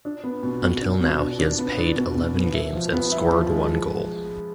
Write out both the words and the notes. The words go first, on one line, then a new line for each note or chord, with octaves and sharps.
Until now, he has payed eleven games and scored one goal.
D4
B3
B2
B2
D4
B2
D4
D4
B3
D4
B2
B2
B3
E4
F3
B3
E4
F3
G#3